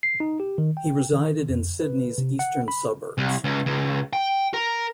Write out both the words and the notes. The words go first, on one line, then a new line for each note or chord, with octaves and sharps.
He resided in Sydney's Eastern Suburbs.
C7
D#4
G4
D#3
G5
D#3
F2
B4
C3
F#5
B5
C2
C#2
C#2
G5
A#4